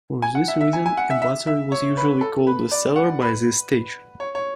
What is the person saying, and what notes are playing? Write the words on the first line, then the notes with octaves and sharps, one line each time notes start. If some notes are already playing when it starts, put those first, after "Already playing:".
For this reason, a buttery was usually called the cellar by this stage.
G#5
F#5
E5
E5
G#5
G#5
F#5
E5
E5
E5
C#5
B4
A4
B4
D5
F#5
B4
C#5
C#5